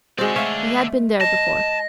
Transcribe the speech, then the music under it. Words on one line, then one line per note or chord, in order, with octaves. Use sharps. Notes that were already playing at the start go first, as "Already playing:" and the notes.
He had been there before.
G#3 C4 F#4 D5 F#5
A3 C#5 E5 F5
D#5 A5 A#6